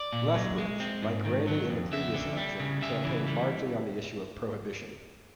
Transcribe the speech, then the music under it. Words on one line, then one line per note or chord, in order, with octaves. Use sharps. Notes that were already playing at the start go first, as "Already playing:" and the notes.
Lethbridge, like Raney in the previous election, campaigned largely on the issue of prohibition.
Already playing: D5
A#2
F#3
G#3
C4
G#2
D#3
F#3
F2
F2 E5
D3
G3
C#3
C#3 E5
E3
G3